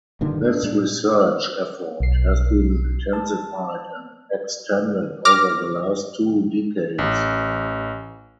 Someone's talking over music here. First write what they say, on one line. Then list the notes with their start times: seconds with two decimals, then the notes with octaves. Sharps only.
This research effort has been intensified and extended over the last two decades.
0.21 G2 A#2 D3 D#3
0.42 A3 D4
0.63 A#2 G#3 D4
2.00 B1 C7
3.13 A5
5.25 D6 F6 A#6
6.98 A1